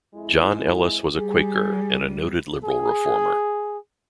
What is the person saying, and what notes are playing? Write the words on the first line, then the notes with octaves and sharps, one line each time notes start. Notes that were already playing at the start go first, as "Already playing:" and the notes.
John Ellis was a Quaker and a noted liberal reformer.
F2 G#3 E4
G3 G#4
G#4